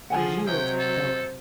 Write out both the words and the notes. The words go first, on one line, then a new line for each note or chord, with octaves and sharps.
"Yield, fellow!"
D3 F3 G#4 F#5 G#5 A5
C3 F#3 C5 D#5 E5 G5
A4